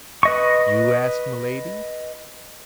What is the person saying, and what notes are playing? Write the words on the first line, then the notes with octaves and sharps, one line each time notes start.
"You?" asked Milady.
B4 D#5 C#6